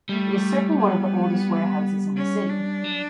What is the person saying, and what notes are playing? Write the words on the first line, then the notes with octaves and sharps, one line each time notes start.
It is certainly one of the oldest warehouses in the city.
G3 A3
B3
C#4
D4
F#3